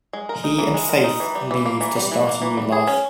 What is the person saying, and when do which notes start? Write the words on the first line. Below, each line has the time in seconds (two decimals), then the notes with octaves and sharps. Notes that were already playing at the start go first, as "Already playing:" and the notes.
He and Faith leave to start a new life.
0.13 G#3
0.29 A#4
0.44 D#4
0.58 E3
0.74 G#3
0.89 A#4
1.04 D#4
1.20 E3
1.35 G3
1.51 E3
1.66 A#3
1.81 E3
1.96 G3
2.11 E3
2.27 A#3
2.42 E3
2.57 G3
2.72 G#4
2.87 C#4